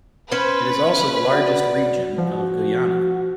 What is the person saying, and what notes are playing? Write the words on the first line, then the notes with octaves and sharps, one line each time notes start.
It is also the largest region of Guyana.
C#4 B4 C5
F#4 D5 F#5
F3 F#4